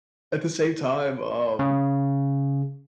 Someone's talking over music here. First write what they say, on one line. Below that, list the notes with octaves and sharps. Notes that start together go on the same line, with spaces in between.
at the same time, um,
C#3